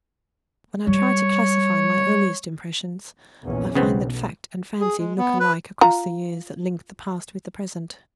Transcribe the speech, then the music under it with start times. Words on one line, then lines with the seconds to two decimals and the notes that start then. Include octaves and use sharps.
When I try to classify my earliest impressions, I find that fact and fancy look alike across the years that link the past with the present.
0.87 G3 C#5
3.43 A#1 E2 C#4
3.75 B1 C#3 B3 C4
4.80 G#4
4.98 G#3
5.18 B3
5.40 B4
5.81 F4 A#5